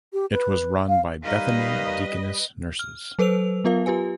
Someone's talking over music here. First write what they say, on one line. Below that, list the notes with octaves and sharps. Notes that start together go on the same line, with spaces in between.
It was run by Bethany Deaconess nurses.
G4
B4
F5
D#3 G3 A#3 B4 D#5 F5
F6
F#3 A4 B4 C5 E6 F7
F#3 B3 F4 A#4 F5
F4 G4 B4 G#5